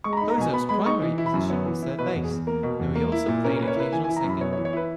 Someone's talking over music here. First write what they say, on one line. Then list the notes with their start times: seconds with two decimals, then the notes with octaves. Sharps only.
Pozo's primary position was third base, though he also played occasional second.
0.04 G#3 C#6
0.13 A#5
0.17 B5
0.21 D#4
0.30 A#5
0.38 B2 G#5
0.53 B3 B5
0.69 G#3 B5
0.86 D#4 C#6
1.02 E3
1.18 E4
1.26 B5
1.34 F#2
1.50 B3 C#5
1.66 E3
1.82 E4
1.99 B2 B4
2.15 E2
2.23 G#4
2.31 E2
2.47 A#3 A#4
2.63 B2
2.80 E2
2.95 A#3
3.12 E4
3.28 A#2
3.44 C#4 A#4
3.56 A#4
3.59 A#3 B4
3.68 C#5
3.76 E4 B4
3.92 E3 G#5
4.04 G#5
4.09 E4
4.17 A#5
4.24 F#2
4.29 B5
4.41 B3 C#5
4.53 C#5
4.57 E3
4.65 C#5
4.73 E4 B4